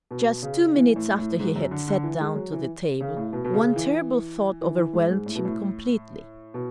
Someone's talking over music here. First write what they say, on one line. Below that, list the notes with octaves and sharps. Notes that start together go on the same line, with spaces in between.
Just two minutes after he had sat down to the table one terrible thought overwhelmed him completely.
B2
C#3
E3
A2
A2
G#2
F#2
D3
D3
E3
G#3
F#3
E3
C#3
A2
B2
B2
C#3
E3
E3
E3
G#2
G#2
A2
B2
A2
B2